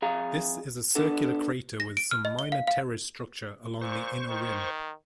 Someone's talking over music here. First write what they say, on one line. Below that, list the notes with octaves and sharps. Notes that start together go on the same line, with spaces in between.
This is a circular crater with some minor terrace structure along the inner rim.
F2 G#4 F5 A#5
B3 D4 A4
A#6
D7
F6
D#5
G7
F5
F5
A#2 C5 C#6
D#3